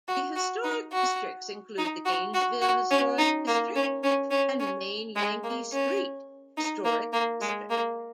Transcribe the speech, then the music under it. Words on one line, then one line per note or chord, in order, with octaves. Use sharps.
The historic districts include the Gainesville Historic District and Main-Yankee Street Historic District.
F#4
F#4
D#4
F#4
D#4
F#4
F#4
F#4
C#4
D#4
A#3
C#4
C#4
C#4
C#4
G#3
A#3
C#4
D#4
A#3
A#3
G#3
A#3